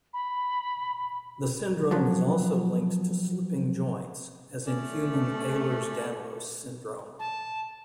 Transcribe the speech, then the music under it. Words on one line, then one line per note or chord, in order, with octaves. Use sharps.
The syndrome is also linked to slipping joints, as in human Ehlers-Danlos syndrome.
B5
F3 F#3
A3 C#4 D5
A5